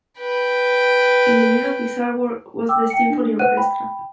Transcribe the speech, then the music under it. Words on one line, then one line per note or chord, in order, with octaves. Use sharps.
In the middle of his art-work was the symphony orchestra.
B4 G5
G5 D6 E6
G5 C#7
D4
B4 C5 F#5 F#6 D#7
G5 B5